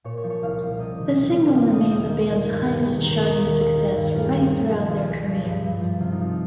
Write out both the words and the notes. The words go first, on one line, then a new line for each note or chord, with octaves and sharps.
The single remained the band's highest charting success right throughout their career.
A#2 C#5
C#5
F3
C#5
C2 F5
C2
C3 D#5
D#3
C2
C2
C#3 F5
F3 D#5
D#2 G4
D#2
D#3
G2
G2 G4
D#3 G#4
G#4
D#3 A#4
C#5
D#2 D#5
A#4
D#2
D#3
D#3
G2
G2 F4
G#4
G4
D#3
G#4
C#3 G#4
F3 G#4
C#2 F4
C#2
F3
G2
G2
F3
C3 F4
D#4
F3
F4